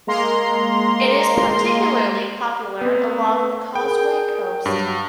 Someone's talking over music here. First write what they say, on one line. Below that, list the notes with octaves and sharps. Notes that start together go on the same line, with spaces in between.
It is particularly popular along the Causeway Coast.
G#3 A#3 A#5 C6
A3 B3 C4 B4
G#4 A#4 G5
G2 F#3